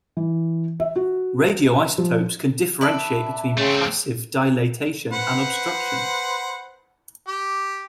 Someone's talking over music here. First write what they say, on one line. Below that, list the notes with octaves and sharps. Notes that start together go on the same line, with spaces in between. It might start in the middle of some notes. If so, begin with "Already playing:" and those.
Radioisotopes can differentiate between passive dilatation and obstruction.
E3
E5
F#4
F3
B4 D5 E5 A5
C#3 A3 C4
B4 C5 F#5
G4